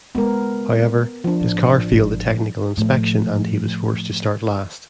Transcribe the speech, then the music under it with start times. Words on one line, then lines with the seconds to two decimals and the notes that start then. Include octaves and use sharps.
However, his car failed the technical inspection and he was forced to start last.
0.15 C#3 G#3 B3 A#4
1.24 F3 D4
1.41 A1
1.91 G#1 G#2
2.77 A2 F3